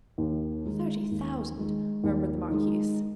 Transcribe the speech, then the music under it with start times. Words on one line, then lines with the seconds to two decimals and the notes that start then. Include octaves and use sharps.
"Thirty thousand," murmured the marquise.
0.18 D#2
0.65 D#3 G#3 D#4
1.11 D#2
1.58 D#3 G#3 D#4
2.04 D#2
2.49 D#3 G#3 D#4